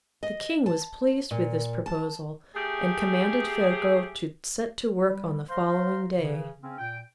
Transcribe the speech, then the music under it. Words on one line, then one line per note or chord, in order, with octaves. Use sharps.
The King was pleased with this proposal, and commanded Ferko to set to work on the following day.
D#5
A5
A#2
A5
A3 G4 G#4
G3
C5 F5 A#5 C6
C#3 E3
C#3 C4 C#4
A#2 G5